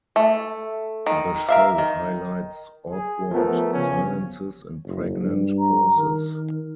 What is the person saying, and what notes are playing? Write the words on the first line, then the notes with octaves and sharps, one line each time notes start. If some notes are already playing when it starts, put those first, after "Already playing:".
The show highlights awkward silences and pregnant pauses.
A3
D#3
A#4 E5 F5
D#3
G#4
F3 A3 B3 A#4
C#3 C#4
F#1
G2
A#5
D#3 A#4